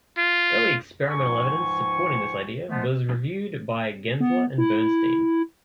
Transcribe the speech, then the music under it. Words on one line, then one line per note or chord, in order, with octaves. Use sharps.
Early experimental evidence supporting this idea was reviewed by Gensler and Bernstein.
F4
C#2 G#2 F3 G#5 C#6
F3 G#3 A3 B3
B3
E4